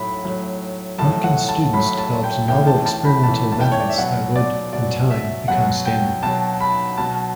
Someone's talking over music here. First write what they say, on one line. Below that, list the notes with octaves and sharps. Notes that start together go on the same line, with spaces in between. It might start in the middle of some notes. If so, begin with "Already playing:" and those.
Frumkin's students developed novel experimental methods that would, in time, become standard.
Already playing: A2 F#3 B5
A2 F#3
A2 F#3 A5
F#5
A5
A2 F#3 B5
A5
G5
A2 E3 G5
A5
A5
B5
A2 E3 A5
A5
G5
C#5
D5
E5
B2 F#3 F#5
D5
B2 F#3 D5
E5
B2 F#3 F#5
G5
B2 F#3 A5
B5
B2 F#3 A5